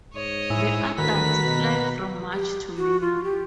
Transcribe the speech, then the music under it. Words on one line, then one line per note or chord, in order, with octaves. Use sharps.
The adults fly from March to May.
G#2 C#5 D#5
A2 G#3 E4
D2 D#3 F#4 A#4 B4 B6
B2
G4
F#4
F4
G4